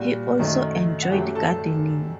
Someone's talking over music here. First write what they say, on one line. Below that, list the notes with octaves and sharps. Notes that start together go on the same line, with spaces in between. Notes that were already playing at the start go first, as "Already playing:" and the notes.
He also enjoyed gardening.
Already playing: A#2 G3 F#4
F#2 D#3 F#3 A3
F#5
F#2 F#3 A3 G4 G5
A4 A5